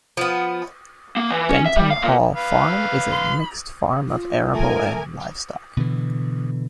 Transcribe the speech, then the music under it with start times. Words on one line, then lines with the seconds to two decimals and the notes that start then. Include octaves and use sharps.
Denton Hall Farm is a mixed farm of arable and livestock.
0.17 F3 B3
1.17 A#3
1.30 E3
1.49 C#4
1.65 E5
1.77 G3
1.91 F5
2.02 A#2
2.36 B4 F5
4.09 F4
4.54 A3 A#4 G#5
5.77 B2 D3 E3